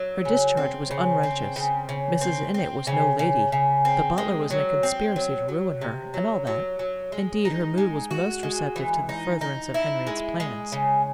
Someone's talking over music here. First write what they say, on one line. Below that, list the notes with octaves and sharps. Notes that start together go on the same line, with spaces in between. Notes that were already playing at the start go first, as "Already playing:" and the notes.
Her discharge was unrighteous; Mrs. Innitt was no lady; the butler was in a conspiracy to ruin her--and all that; indeed, her mood was most receptive to the furtherance of Henriette's plans.
Already playing: F#3
C#3
C4
C#3
C4
C#3
C#3
C4
C4
C#3
C#3
C#3
C4
G#3
F#3
C4
F#3
F#3
C3
F#3
F#3
F#3
G#3
D#4
G#3
F#4
G#3
E3
D#4
D#4
E4
G#3
G#3
C#3